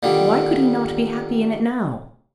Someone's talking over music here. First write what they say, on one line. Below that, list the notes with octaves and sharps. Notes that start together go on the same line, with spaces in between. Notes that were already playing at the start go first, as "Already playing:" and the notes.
Why could he not be happy in it now?
A#2 D3 D#3 G3